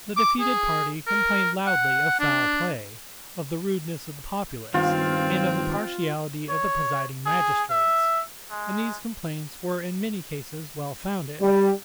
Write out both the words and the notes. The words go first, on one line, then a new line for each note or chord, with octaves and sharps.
The defeated party complained loudly of foul play, of the rudeness of the populace, and of the partiality of the presiding magistrates; and these complaints were in many cases well founded.
D6
G#4
A#4
F#5
D4
G2 D#3 C4 F4 F5
C#5
G#4
E5
G#3
G3